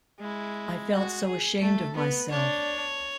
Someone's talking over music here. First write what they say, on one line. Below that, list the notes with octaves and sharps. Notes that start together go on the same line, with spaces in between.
I felt so ashamed of myself.
G#3 E4
F#4
G#4
A3 A4
B3 B4
D4 C#5